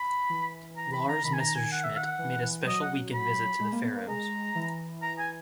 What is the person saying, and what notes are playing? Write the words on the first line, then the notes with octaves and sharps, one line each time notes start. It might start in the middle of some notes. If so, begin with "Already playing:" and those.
Lars Messerschmidt, made a special weekend visit to the Faroes.
Already playing: B5
E3
A#5
B5
A#5
D#3 B5
G#5
A#5
G#5
F#5
E5
F#5
E3
E3
F#3 D#5
F#5
B5
G#3
A#3
B3
A#3
G#3 A#5
E3
A#5
G#5